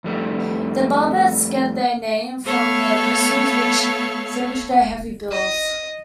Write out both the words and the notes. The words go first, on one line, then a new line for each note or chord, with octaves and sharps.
The barbets get their name from the bristles which fringe their heavy bills.
F2 G3 A3
A3 B3 A4 C#5 F5
D#5